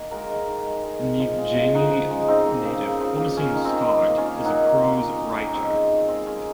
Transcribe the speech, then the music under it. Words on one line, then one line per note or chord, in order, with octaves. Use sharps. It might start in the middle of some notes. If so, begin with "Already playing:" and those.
Migjeni made a promising start as a prose writer.
Already playing: D#3 A#3
G#3 F#4 A#4
D#3
D#3
G#3
G#3
D#3
F3
G#3
C#3
C#3 D#4 F#4
F3
G#3
F3 C4 D#4
A#3
C#3
C#3
F3
A#3
A#3 C#4
D#3
C4
D#3
A#3
A#3
C#4 F4
D#3
F#3 D#4 F#4
A#3
A#2
A#2
F#3
A#3
G#3 C4 D#4
D#3
D#3
G#3 C4
G#3 C#4